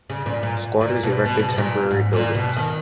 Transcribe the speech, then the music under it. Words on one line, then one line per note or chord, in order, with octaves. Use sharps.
Squatters erected temporary buildings.
C#3
A#2
A#2
A#2
B2
B2
C#3
B2
A#2
G#2
A#2
B2
D#3